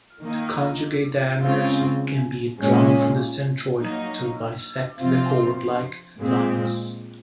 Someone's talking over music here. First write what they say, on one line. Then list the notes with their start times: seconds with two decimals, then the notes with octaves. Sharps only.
A conjugate diameter can be drawn from the centroid to bisect the chord-like lines.
0.22 D#3 A#3 D#4
1.41 C#3 G#3 C4 F4
2.60 A#2 G#3 C#4
3.80 F#3 A#3 D#4
5.00 C3 F3 C4 F4
6.19 A#2 G#3 C4